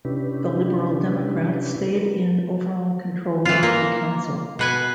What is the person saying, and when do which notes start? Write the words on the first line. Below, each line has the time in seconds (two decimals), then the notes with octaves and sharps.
The Liberal Democrats stayed in overall control of the council.
0.05 C3 C#4 D4 E4 G4 B4
1.95 A#4 B4
3.45 E3 F4
3.63 A#3
4.59 B2 B4 G#5